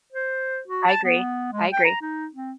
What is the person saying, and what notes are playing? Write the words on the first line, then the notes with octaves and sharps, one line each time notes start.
I agree, I agree.
C5
F#4
A5
B3
G#3
G5
A#5
D#4
C4